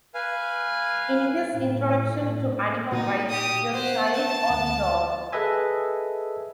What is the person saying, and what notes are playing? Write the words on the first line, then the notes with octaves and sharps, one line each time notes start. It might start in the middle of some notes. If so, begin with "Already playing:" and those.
In his Introduction to Animal Rights: Your Child or the Dog?
B4 F5 G#5
A2
A#2 D#4 F#4
G4 D#6
B3 C5 F#5 F#6
A5
D2
G#4 A4 B4 D#5 E5 G#5